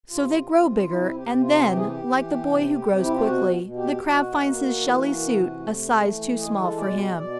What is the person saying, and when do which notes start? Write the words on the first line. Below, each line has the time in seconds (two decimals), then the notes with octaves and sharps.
So they grow bigger; and then, like the boy who grows quickly, the Crab finds his shelly suit a size too small for him!
0.09 C3 F4
0.49 C3
0.88 C3 E4
1.14 G4
1.28 C3
1.40 F4
1.67 E3 G4
1.77 G#4
1.87 G4
2.06 E3
2.46 C3
2.85 C3
3.02 E4
3.14 F4
3.24 B2 F#4
3.63 B2
3.76 G4
4.02 B2 F#4
4.42 A#3
4.81 E3
5.20 C3
5.59 A3
5.99 E3
6.38 G#3 G#4
6.58 A4
6.77 B2 D5
7.16 B2 D5